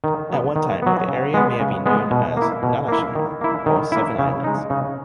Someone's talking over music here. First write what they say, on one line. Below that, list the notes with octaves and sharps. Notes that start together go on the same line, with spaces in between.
At one time, the area may have been known as "Nanashima" or "seven islands".
D#3
F#3 B3
D#3
F#3 B3
C#3
G#3 B3
C#3
G#3 B3
B2
A#3 E4
B2
A#3 E4
D#3
A#3 E4
D#3
A#3 E4
C#3
G#3 D#4
C#3